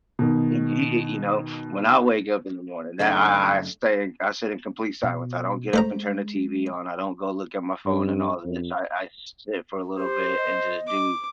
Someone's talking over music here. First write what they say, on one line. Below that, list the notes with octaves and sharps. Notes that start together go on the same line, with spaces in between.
Y y you know, when I wake up in the morning that I I stay I sit in complete silence. I don't get up and turn the TV on, I don't go look at my phone and all this. I I sit for a little bit and just do
B2 D#3
F#2 C#3 A3 D4 D#4
B2
G#3 A3 C5 A#5
G2
F2
G4 C5
D#5
D6